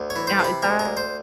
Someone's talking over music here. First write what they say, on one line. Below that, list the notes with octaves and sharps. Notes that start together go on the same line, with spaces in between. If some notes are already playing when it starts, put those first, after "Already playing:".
Now, is that
Already playing: D2
C#5
E3
C5
C3
B4
D2 A#4
A#4
D2
C5